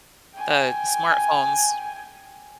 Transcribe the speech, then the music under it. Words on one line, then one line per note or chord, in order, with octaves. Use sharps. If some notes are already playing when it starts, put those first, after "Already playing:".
the smartphones
G5 G#5